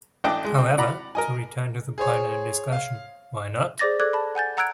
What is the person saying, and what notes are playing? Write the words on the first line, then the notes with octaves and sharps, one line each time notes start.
However, to return to the point under discussion, why not?
A1 D4 D#5 G5 A5 D6
G#3
C4
D5 F#5 A#5 B5
A#4 D#5 G#5
G#4 C5 C#5
F5
G#4 C5 D5 D6 A6 A#6
A4 D5 D6 F#6 G#6
A5 B5
F#5 G#5 G6 A6
F#5 A#5 E6 F#6 G#6 D7